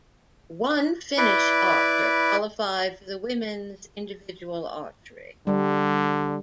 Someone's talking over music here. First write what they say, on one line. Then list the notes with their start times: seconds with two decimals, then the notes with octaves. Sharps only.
One Finnish archer qualified for the women's individual archery.
1.18 E4 B4 D5
5.47 D3 G3